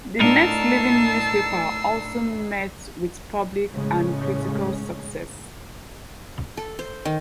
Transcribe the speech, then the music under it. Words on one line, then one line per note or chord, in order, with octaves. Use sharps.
The next Living Newspaper also met with public and critical success.
A2 D4 D#4 A#4 A5 E6 C7
A2 C#3 G#3 C#4
A4
C5
D#3